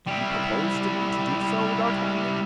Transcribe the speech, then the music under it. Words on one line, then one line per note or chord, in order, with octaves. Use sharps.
"Do you propose to me to do so, D'Artagnan?"
G3 E4